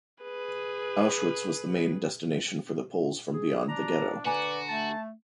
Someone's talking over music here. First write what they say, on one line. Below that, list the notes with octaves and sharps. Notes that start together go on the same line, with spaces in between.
Auschwitz was the main destination for the Poles from beyond the ghetto.
G#4 B4
G#4
D4 A#5
D3 F#4 B4 D5 G#5 A#5
A3 A5